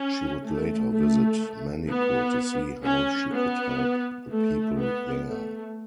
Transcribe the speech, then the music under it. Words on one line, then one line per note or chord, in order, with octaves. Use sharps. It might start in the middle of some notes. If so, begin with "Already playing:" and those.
She would later visit Manipur to see how she could help the people there.
Already playing: C#4
A3
A3
B3
C#4
B3
A3
B3
A3